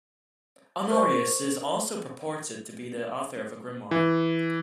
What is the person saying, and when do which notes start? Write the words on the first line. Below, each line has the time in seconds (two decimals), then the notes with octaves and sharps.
Honorius is also purported to be the author of a grimoire.
0.90 A#4 C5 C#6
3.91 E3